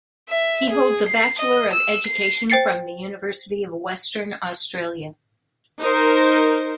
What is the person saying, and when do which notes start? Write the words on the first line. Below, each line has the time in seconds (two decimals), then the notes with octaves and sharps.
He holds a Bachelor of Education from the University of Western Australia.
0.30 E5
0.70 G#4
1.08 C7
1.38 D#5
1.73 E6
2.06 C7
2.50 C5 G5 A6 C7 C#7
5.81 D#4 A#4 C5